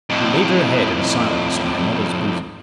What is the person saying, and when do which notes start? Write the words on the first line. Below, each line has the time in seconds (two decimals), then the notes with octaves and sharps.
She laid her head in silence on her mother's bosom.
0.10 F2 A2